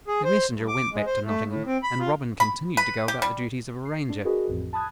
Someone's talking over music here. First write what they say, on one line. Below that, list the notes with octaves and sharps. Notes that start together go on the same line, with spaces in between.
The messenger went back to Nottingham; and Robin continued to go about the duties of a ranger.
G#4
C5
G2
D6
G#3
C5
A3
A2
C4
B5
F4
B5
B4
G4
G3
C7
D4
D4 F#4 G#4 A#4 B4 D#5
A1 F2 A2
A5 B5 D#6 F#6 G#6